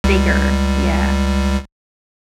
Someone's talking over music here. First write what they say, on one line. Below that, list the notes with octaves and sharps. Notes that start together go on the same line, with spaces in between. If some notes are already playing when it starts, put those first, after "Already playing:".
bigger, yeah.
C#2 G3